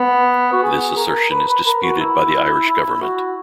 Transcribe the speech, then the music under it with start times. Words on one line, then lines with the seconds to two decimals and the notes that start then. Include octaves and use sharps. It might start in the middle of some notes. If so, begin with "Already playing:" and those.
This assertion is disputed by the Irish government.
Already playing: B3
0.52 F#4
0.63 G#4
0.97 A#4
1.31 B4
1.48 B4
1.66 A#4
1.83 F#4
2.00 E4
2.68 E4
3.02 F#4